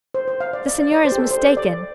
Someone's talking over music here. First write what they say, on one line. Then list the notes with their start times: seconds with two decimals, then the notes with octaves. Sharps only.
'The Signor is mistaken.
0.14 C5
0.28 C5
0.40 F5
0.53 D5
0.66 D5
0.79 D5
0.92 D5
1.05 C5
1.12 G4
1.18 A4
1.31 C5
1.44 D5
1.57 D5